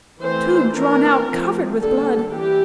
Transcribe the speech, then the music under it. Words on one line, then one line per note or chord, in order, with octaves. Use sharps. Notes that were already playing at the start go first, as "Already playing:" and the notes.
Tube drawn out covered with blood.
E3 A3 C4 C5
E3 A#3 D4 A#4
F3 A3 C4
D3 G3 A#3 D4 A4
E3 G4